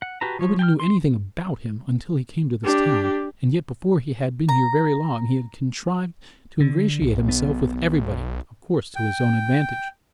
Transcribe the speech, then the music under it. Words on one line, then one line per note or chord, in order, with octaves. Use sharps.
Nobody knew anything about him until he came to this town, and yet before he had been here very long he had contrived to ingratiate himself with everybody--of course, to his own advantage.
F#5
F#4 G4 B4 A5 A#5
F3 C#5
G5 G#5 F6
C6
D4 G4
A#5
D3
B1
B3
G5